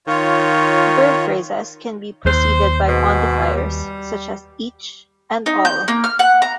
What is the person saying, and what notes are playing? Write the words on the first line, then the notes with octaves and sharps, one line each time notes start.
Verb phrases can be preceded by quantifiers such as "each", and "all".
D#3 F4 C#5
D#2 C5
G#2 B2
G3
D#4
G6
A#3
F6
F#5
A#5